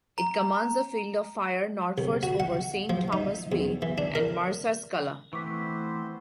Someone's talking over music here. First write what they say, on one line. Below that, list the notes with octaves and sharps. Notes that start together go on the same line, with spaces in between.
It commands a field of fire northwards over Saint Thomas' Bay and Marsaskala.
A#5
C2
F#4
F#5
F3
D#4
E2
E3
D4
A#4
E3 A3 B3 C4 C5 C#6 D6 B6